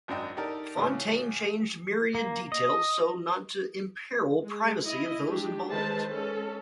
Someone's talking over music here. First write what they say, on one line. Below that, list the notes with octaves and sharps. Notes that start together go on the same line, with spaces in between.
Fontane changed myriad details so as not to imperil privacy of those involved.
G#1 F#2 D4 D#5 G5
D#4 G4 A4 A#4 D5
C#2 A2 C#3
A#3
D#5
G#3
E4 D#5
G#3 D4 G4
D#3 G#3 A4 B4 C5 A5
G#3 C#4 A4